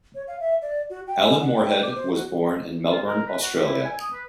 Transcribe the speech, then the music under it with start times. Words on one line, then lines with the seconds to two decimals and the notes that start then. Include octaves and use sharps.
Alan Moorehead was born in Melbourne, Australia.
0.15 C#5
0.27 F5
0.40 E5
0.62 D5
0.90 F#4
1.07 G5
1.23 G#5
1.40 F#5
1.55 G5
1.83 D6
1.96 C5
2.14 F#4
2.91 F4
3.07 A#4
3.27 B4
3.41 F#4
3.56 G4
3.68 E4
3.84 G#5
4.01 D#6
4.13 B4